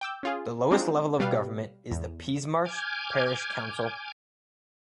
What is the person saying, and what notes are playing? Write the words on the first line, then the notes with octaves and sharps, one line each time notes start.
The lowest level of government is the Peasmarsh parish council.
G5 D6 E6 G6
C#4 F4 G#4
G#3 C4 D4 D#4 F4 F#4
B2 G3 G4 B4 F5
E2
G#5 D6 F6 G6 G#6